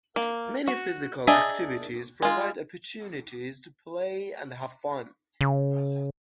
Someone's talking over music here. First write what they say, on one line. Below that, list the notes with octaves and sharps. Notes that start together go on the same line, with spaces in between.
Many physical activities provide opportunities to play and have fun.
A#3
F#4
D4 G#4 D#5 E5 A#5
G#3 F4
C#3